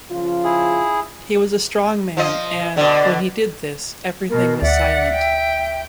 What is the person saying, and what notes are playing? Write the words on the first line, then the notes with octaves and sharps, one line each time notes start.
He was a strong man and, when he did this, everything was silent.
C#3 F3 F4
E4 G#4
F3 F4 D#5
B2 D3 D5
B2 A#4
D2 D5 E5 F#5
G5